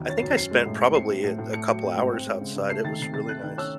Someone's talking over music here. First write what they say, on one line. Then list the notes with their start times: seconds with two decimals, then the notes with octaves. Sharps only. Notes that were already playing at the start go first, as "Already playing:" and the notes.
I think I spent probably a a couple hours outside it was really nice.
Already playing: E2 D#3 F#3
0.08 C#4 A6
0.18 C7
0.22 F#2
0.37 C#4 C7
0.51 G#3
0.66 A2
0.81 A2 C#7
0.95 C4 C7
1.10 F#3
1.24 A2
1.39 A2
1.53 A3 C#7
1.68 F#3
1.82 C4
1.97 G#2
2.12 C4
2.27 G#3
2.41 C#3
2.56 C#3
2.70 A3 C7
2.84 D#3 A6
2.99 C3 C7
3.14 C3 A6
3.29 A3 F#6
3.43 D#3
3.58 C#4 E6